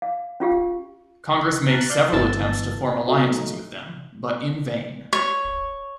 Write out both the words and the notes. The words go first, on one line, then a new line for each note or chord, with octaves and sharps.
Congress made several attempts to form alliances with them, but in vain.
F5
C#4 F4 G4 F5
A5 A#5 C#6 F6 F#6
D5 F5 G6
G1 E3 B3 A5 E6 A6
F#3 A3 D#4
C#5